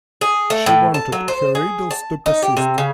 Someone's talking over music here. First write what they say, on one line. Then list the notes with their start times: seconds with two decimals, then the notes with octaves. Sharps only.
She wanted her riddles to persist.
0.21 G#4
0.50 A3
0.66 A2
0.94 A5
1.12 F#3
1.28 C5
1.55 G#4
1.91 A5
2.26 D#4
2.42 G4
2.57 C3
2.78 C#3